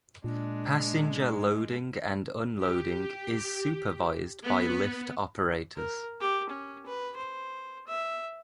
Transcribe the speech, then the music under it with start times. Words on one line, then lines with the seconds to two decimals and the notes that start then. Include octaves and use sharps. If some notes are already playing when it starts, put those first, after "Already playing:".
Passenger loading and unloading is supervised by lift operators.
0.24 A#2 G#3 D4
2.60 G4
4.43 B3
5.76 A#4
6.21 G4
6.50 C#4
6.86 B4
7.17 C5
7.87 E5